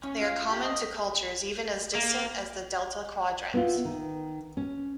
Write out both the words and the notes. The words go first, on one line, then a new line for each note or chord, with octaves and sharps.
They are common to cultures even as distant as the Delta Quadrant.
C#4
F4
G4
D#5
A#3
B3 E4 F4
D#3
C#4